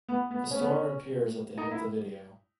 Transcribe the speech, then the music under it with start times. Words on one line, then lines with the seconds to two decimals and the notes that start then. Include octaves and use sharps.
A storm appears at the end of the video.
0.09 B3
0.31 B3
0.51 C#4
0.59 B3
0.67 C#4
1.58 D#4
1.71 E4